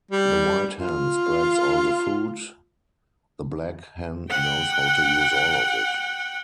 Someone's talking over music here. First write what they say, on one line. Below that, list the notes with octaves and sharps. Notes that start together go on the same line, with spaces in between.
The white hen spreads all the food, the black hen knows how to use all of it.
G3
F4
F#5 G5